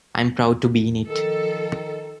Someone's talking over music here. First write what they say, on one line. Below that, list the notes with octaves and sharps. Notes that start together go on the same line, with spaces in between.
I'm proud to be in it.
D#3 F3 A4